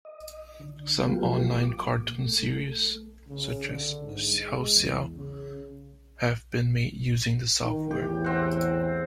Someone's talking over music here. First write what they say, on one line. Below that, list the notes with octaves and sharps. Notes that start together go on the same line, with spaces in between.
Some online cartoon series, such as "Xiao Xiao", have been made using the software.
D#5
D3
F3 F#3 A3 B3 F4 G4
D6
A#2
A3
C#3
D3
G#2
G#3
E2
C#3
D#3
E2 A2 E3 G4
C4 F#5